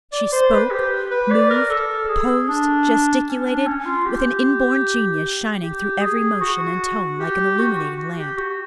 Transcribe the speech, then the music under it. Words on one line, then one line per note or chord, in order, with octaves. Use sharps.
She spoke, moved, posed, gesticulated, with an inborn genius shining through every motion and tone like an illuminating lamp.
D5
C5
B4
G4
B4
D5
A#4
A4
G#4
D4
C#4
D4
C#4
F4
G4
G4
G#4
F#4
G4
F#4
G4
F#4